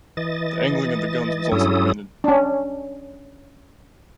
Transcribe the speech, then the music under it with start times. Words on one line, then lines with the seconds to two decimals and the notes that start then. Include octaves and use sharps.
The angling of the guns was also abandoned.
0.17 E3 D#5 A6
1.52 G2 F#3 C#4 E4 A4 D#6
2.24 C#4 D4